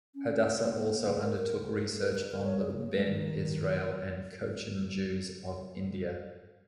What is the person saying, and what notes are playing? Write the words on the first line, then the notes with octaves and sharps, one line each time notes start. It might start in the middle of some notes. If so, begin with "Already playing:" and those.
Hadassah also undertook research on the Bene Israel and Cochin Jews of India.
C#4
C#4
A#3
A#3
A#3
G#4
A#4
A#4
G#4
A#4
A#4
A#4
C#5
G#4
G#3
A#3
G#3
D#3